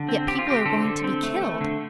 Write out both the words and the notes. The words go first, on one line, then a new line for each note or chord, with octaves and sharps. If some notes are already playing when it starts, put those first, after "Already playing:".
Yet people are going to be killed.
Already playing: D3
C4
C4 G4
F4
C4 G4
D3 A4
D3
C4
A3
A3
D3